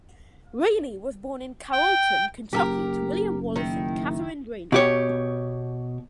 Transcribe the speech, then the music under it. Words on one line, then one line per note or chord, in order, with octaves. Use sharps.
Raney was born in Carrollton, Kentucky, to William Wallace and Katherine Raney.
G5
F#1 G4 A4 A#4
D#3 E4
B2 G4 C#5